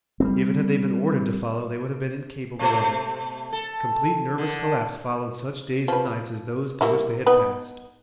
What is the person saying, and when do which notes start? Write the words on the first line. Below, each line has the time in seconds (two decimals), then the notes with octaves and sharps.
Even had they been ordered to follow they would have been incapable of it. Complete nervous collapse followed such days and nights as those through which they had passed.
0.20 G3 B3 C4
2.59 B2 A3 C5
3.52 A4
4.38 D3
5.88 F3 B4
6.81 G3 A#3 E4
7.26 B3 D#4 B4